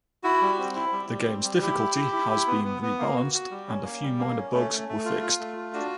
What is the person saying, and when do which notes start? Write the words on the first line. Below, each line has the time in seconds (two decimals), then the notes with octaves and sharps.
The game's difficulty has been rebalanced and a few minor bugs were fixed.
0.24 E4 F#4
0.42 G3
0.59 C4
0.75 E4
0.92 G3
1.10 G3
1.27 C4
1.44 G3
1.61 E4 G4
1.79 E4
1.96 E4
2.13 E4
2.31 E4
2.47 B3
2.64 B3
2.82 B3
2.99 A#3
3.16 F#4
3.34 F#4
3.51 G3
3.68 C#4
3.84 A#3
4.02 G3
4.19 A#3
4.37 C#4
4.54 A3
4.71 A3
4.89 A3
5.05 F4
5.22 F4
5.40 A3
5.57 F4
5.74 D4 F#4